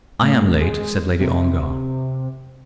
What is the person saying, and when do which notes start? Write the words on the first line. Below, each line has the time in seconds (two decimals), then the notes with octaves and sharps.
"I am late," said Lady Ongar.
0.22 A2
0.60 G#3
1.20 C3